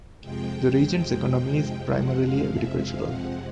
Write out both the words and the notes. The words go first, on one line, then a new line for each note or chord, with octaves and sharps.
The region's economy is primarily agricultural.
F2 C3 F3 G#3 G5
F#5
F5
E5
F5
F#5